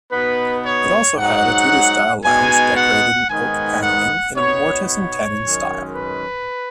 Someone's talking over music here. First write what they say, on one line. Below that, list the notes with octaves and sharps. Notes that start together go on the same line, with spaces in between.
It also had a Tudor-style lounge decorated in oak paneling in a mortise-and-tenon style.
B2 B3 D#4 B4
C#5
G#2 F#3 D#4 F#5
B2 G#3 D#4 G#5
F#5
G#2 D#3 B3 D#4 G#5
F#5
B2 B3 D#4 C#5
C#5
F#2 D#3 G#3 C#4
B4